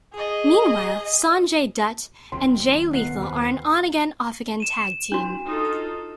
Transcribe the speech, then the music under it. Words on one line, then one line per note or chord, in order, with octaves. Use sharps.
Meanwhile, Sonjay Dutt and Jay Lethal are an on-again-off-again tag-team.
G#4 D#5
F#1 D#2 D#3 C4 C6
F1 B2 F4 A#4 F#5 C7
D#2 D#3 C4 B4 B5
D#7 E7
D4 F#4
D#4 F4 A4